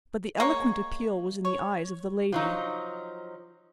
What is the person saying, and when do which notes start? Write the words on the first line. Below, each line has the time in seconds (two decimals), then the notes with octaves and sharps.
But the eloquent appeal was in the eyes of the lady.
0.38 G#3 A#3 C#5
1.45 C#5
2.32 F3 F#3 D#4